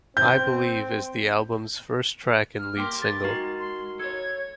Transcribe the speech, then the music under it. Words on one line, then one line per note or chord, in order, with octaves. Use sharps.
"I Believe" is the album's first track and lead single.
C4 G6
F6
A#3 G4 A#4 G5 C6
A6
G#3 D#4 F#4 A#4
C6
A4 C#5 G#6